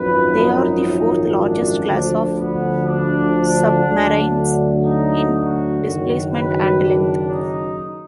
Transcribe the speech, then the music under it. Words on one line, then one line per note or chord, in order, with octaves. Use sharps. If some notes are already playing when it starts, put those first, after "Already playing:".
They are the fourth largest class of submarines in displacement and length.
Already playing: G#1 F#2 F3 B4
D#4
D4
D2 D3 F3
B3
D4
D2 D3 F#3
D#4
F#4
F#1 F#2 D#3 F#3
B4
D4
D#4